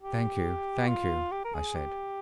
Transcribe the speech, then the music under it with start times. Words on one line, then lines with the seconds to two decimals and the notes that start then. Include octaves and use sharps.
"Thank you, thank you," I said.
0.01 G4
0.88 F4
1.31 G4
1.45 A#4
1.54 G#4
1.75 G4